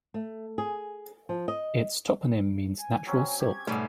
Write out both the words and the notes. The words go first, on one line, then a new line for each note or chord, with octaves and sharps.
Its toponym means "natural silk".
A3
G#4
F3
D#5
G#5
F#3 C4 C#4
G4 G#6
G#2 B2 G3 A3 C#4 G#4